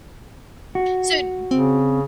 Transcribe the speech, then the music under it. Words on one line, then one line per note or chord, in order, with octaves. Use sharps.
So, d
F#4
C#3 C4